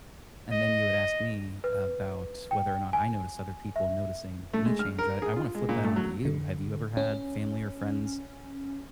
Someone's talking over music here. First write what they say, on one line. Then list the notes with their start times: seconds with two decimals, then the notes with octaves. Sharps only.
and then you would ask me about whether or not I notice other people noticing me change, I I wanna flip that onto you, have you ever had family or friends
0.51 D#5
1.64 B4
2.51 G5
2.93 G#5
3.76 E5
4.53 A3
4.66 G#3
4.79 F6
4.99 A#4
5.22 G#4
5.36 F4
5.55 G#3
5.69 A#2
5.84 A3
5.96 F#3
6.25 D3
6.97 C#4